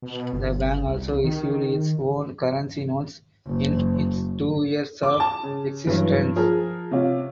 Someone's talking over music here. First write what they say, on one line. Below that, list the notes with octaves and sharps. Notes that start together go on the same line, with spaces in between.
The bank also issued its own currency notes in its two years of existence.
B2
G1
C2
D#3
F#1
D6
A5
C#3
G2 E3 F#3
F3 G#4 A#4
C3 C#4 F4